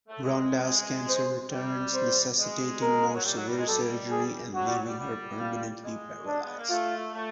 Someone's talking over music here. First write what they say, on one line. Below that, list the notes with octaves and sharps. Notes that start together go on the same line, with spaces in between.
Rhonda's cancer returns, necessitating more severe surgery and leaving her permanently paralyzed.
A3
G#3
C5
G3
C5
G#3
A#4
F#3
G3
F#3
G3
G#3
G3 A4
G#4
F#3 F#4
G3
F#3
G3
G3
F4
G#3
D4
B3
A#3
A3 F4
A3